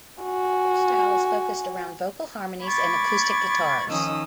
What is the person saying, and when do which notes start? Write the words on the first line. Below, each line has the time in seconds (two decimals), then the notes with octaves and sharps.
Their style is focused around vocal harmonies and acoustic guitars.
0.22 F#4 G#5
2.63 B5 C#6 D6 G#6 A6
3.88 D#3 F3 C#4 D#4 D#6 E6